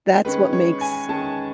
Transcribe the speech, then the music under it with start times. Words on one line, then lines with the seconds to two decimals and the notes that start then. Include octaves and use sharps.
that's what makes
0.25 D#3 G#3 C#4 B4
0.53 C#5
0.81 G#5
1.09 D#3 G#3 C#4 A5